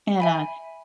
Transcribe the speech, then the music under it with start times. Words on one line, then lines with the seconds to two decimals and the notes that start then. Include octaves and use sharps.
And, uh,
0.20 E5 G#5 B5